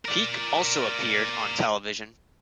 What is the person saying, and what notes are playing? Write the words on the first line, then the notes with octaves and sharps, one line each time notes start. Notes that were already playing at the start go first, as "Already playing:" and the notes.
Peek also appeared on television.
A#4 D5